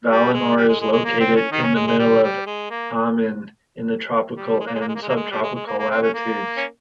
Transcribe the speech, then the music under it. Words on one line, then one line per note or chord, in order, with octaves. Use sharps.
Valinor is located in the middle of Aman, in the tropical and subtropical latitudes.
G3
G#3
G3
G#3
G#3
G#3
A#3
C4
C#4
D#3 D#4
C#4
G#3
G#3
G3
G3
G#3
A#3
G3
G#3
A#3
G#3
A#3
G#3
A#3
G#3
A#3
G#3
G3
G#3
G#3
A#3
A#3
C4
C#4
A#3
C#4